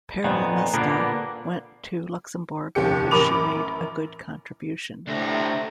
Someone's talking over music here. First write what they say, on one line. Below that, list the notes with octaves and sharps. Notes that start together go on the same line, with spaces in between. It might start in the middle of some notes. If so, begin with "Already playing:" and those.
Perle Mesta went to Luxembourg because she made a good contribution.
F2 A#2 D#3 B3
A#2 D3 G3 A#3 B3
F1 D#2 C#4 G4 C#7
A1 F#2 A#4 B5 D6 F7
D2 A2 C3 A3 D4 C5 A#5